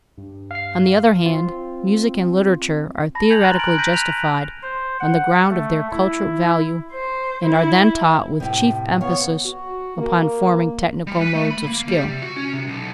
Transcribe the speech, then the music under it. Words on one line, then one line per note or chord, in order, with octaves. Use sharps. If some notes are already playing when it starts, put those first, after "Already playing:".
On the other hand, music and literature are theoretically justified on the ground of their culture value and are then taught with chief emphasis upon forming technical modes of skill.
G2
F5 C7
C4 F4
A5 B5 A#6
G#5 G6 G#6 F7 F#7
A#5 C6 F6 F#6 G#6 A6
A#5 F#6 D7 F#7
G6 A#6 B6 D7 D#7
F#6 F7
C5
F#5
A3
E4
C5
E4
A2 C3
B3 C#5 F5
F#4
A#3
G3
B4
A3
B5
A#3
G3
C3
F#4
C#4
C3
B1